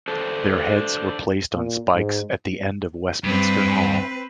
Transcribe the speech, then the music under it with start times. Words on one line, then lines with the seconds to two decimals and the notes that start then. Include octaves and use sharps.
Their heads were placed on spikes at the end of Westminster Hall.
0.08 D4 A4 C5
1.56 A#2
1.95 G#2
3.24 G2 C4 B4